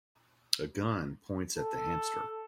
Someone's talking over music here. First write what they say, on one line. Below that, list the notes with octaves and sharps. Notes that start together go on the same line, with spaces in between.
A gun points at the hamster.
A4